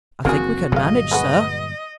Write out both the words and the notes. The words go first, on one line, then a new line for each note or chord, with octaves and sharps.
"I think we can manage, sir."
F#1 D3 A#3 C4 F#4 G#4
G1 A#2 F#3 G#3 D#5 F5
G#3 B3 F#4